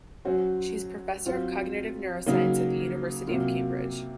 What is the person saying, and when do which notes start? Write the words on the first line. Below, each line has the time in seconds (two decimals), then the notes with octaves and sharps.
She is Professor of Cognitive Neuroscience at the University of Cambridge.
0.25 F#3 C#4 F#4 C5
1.26 F#3 C4 F4 C5
2.26 C#3 F#3 A#3 D#4
3.27 C3 F#3 A#3 F4